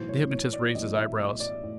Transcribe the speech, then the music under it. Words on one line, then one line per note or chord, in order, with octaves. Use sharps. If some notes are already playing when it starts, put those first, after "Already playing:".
The hypnotist raised his eyebrows.
Already playing: B1 A2 E3 C5
C#5
C#5
D5
B1 A2 E3 D#5
E5
D#5
D5
A2